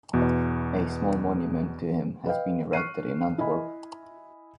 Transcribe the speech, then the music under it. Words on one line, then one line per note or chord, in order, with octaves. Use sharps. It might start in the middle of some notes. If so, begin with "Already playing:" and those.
A small monument to him has been erected in Antwerp.
E2 B2 E3
B4 D#5 F5 G5
C#6 F6 F#6 C7 D#7
E4 D#5 G#5 B5